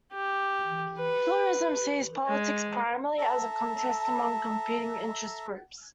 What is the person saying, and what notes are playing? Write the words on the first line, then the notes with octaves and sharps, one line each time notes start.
Pluralism sees politics primarily as a contest among competing interest groups.
G4
B4
G#3
A4 E5 A5 A#5